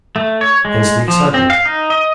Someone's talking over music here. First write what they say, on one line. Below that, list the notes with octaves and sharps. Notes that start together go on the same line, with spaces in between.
Hence the excitement.
A3
C#5
G#3
F3
C4
F5
D#4
D#5